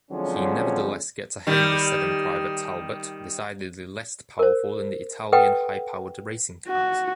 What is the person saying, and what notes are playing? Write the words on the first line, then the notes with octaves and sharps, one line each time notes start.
He nevertheless gets ahead of the seven private Talbot, decidedly lest powerful than the Italian high-powered racing cars.
D3 F3 F#3 G#3 C4 C#4
D#3 G3
A#4 C5
A4 B4 D#5 F#5 G5
F#4